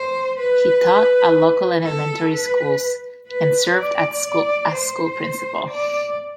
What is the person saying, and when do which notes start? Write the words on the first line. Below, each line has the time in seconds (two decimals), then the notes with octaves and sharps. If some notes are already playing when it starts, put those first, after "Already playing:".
He taught at local elementary schools and served as a school principal.
Already playing: C5
0.38 B4
1.83 A4
2.31 B4
3.28 B4
3.76 D5
4.24 D5
4.72 C5
5.69 D5